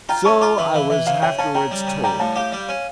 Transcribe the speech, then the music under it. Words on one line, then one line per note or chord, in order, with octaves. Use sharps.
So I was afterwards told.
F4 G5 A#5
C#4 A5 C#6
F4 A#5 D6
E3 E5
E3 F5
E3 E5
C#3 F5
C#3 E5 G5
C#4 F5 A5
C#3 G5 A#5
G3
C#3
G3 G5 A#5
A2 F5 A5
G4 F5
G3
C#4